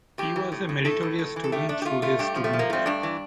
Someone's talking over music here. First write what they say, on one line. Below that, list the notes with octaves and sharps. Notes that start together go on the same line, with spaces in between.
He was a meritorious student through his student life.
A2 G4
E3
A2
A2
A2 A4
A2
A2
E3
A4
A3 G4
A3 D4
G4
A3 F4
A3 F4
G2 G4
F3
A3
F3
A#3
A3 C4
G2 D4
E3